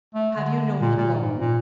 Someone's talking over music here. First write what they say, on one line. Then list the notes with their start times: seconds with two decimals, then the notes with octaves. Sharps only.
"Have you known them long?"
0.15 A3
0.37 D3
0.80 A#2
0.97 A#2
1.21 G#2
1.39 A#2